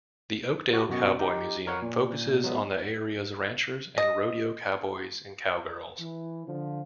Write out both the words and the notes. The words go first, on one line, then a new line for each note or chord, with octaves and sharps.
The Oakdale Cowboy Museum focuses on the area's ranchers and rodeo cowboys and cowgirls.
F#4 G4
F#2 B2 F#4 D#5
D#4 G4
A#4 C#5 F#5
A#2
F#3 G#3 B3
D#5
E3
D3 F3